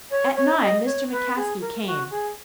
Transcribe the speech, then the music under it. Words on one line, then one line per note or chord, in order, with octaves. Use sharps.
At nine Mr. McCaskey came.
C#5
C#5
D#5
C#5
B4
G#4
A#4
F#4
G#4